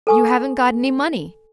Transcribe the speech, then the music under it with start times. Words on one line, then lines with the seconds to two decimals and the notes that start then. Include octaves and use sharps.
"You haven't got any money."
0.07 A4 B4 G#5 C#6 D#6